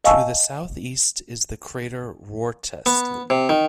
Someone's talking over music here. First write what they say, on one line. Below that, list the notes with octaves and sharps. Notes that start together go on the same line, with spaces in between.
To the southeast is the crater Wrottesley.
D#5 F5 G#5 A5 C#6 E6
B3
C3
D#3